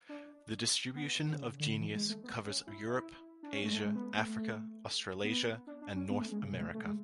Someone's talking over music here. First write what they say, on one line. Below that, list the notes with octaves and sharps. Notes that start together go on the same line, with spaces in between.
The distribution of the genus covers Europe, Asia, Africa, Australasia and North America.
D4
B3
D3
C#3
D3
E3
G#3
A3
B3
C#4
E4
E4
D4
C#4
A3
G#3
A3
G#3
B3
A3
B3
D4
D4
C#4
B3
A3
G#3
C#3
B2
G#3
A3
A3
G#3